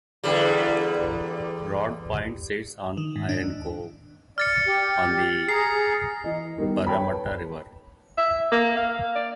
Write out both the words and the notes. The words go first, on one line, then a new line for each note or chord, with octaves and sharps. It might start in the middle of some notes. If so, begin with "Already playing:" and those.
Rodd Point sits on Iron Cove, on the Parramatta River.
E2 D3 G3
D#3
G#2
D4
D#2
D5 F6 A6 C#7
G4
G#4 A#5 C7
E3 D#5
D#3 G3 B3
B4 C#5 G5 A5 B5
E5
A#3
F5
D5